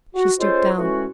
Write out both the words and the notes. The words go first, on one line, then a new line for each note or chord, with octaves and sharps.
She stooped down.
F#4
G#3 C#4 F4 A4 C5
A2 E3 G#3 C#4 F#4